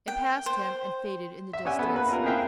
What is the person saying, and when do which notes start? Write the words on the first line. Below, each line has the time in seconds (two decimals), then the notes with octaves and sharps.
It passed him and faded in the distance.
0.08 G5
0.46 C5
1.53 E5
1.65 C#4 G4 D5 F#5 G#5 E6
1.79 B3 A4
1.94 A#3 B4
2.09 A#3 F4 A#4
2.24 C4 E4 G#4 E5 F5 G5